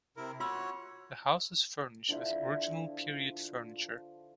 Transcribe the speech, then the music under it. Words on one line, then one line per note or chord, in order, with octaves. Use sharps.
The house is furnished with original period furniture.
C3 E4 A#4
F4 F#4 C#5 C6 E6
D3 F3 E4